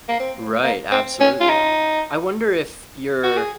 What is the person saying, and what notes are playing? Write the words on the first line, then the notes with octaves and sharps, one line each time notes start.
Right, absolutely, I wonder if your
A#3
C4
A#3
C4
C#4
F4
D#4
F#4
G#4